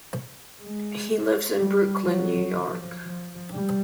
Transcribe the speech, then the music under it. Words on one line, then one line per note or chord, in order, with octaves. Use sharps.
He lives in Brooklyn, New York.
G#3
G3
F#3
F3
F3
G3